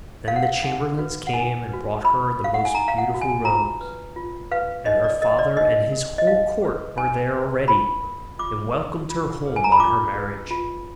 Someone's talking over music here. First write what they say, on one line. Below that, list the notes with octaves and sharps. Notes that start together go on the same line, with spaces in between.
Then the chamberlains came and brought her the most beautiful robes; and her father and his whole court were there already, and welcomed her home on her marriage.
A#4 F5
F#5
F5
D#4 F#5
F#4 B4
F#5
D#4 G#5
F#4 B4
D#4 B5
F#4 A#4 F5
F#5
G#5
D#4 A#5
F5
F#5
F#4 A#4
G#5
F4 A#5
B4
F4
B4 F5
D#4 D#5
D5
A#4 D#5
D5
D#4 D#5
A#4
D#5
D#4 F5
G#4 B4
D#4 G#5
G#4 B4
F4 B5
A#4
F4 D6
A#4
F4
G#4 B4
G#5
A#5
B5
F4 D6
G#4 B4
F4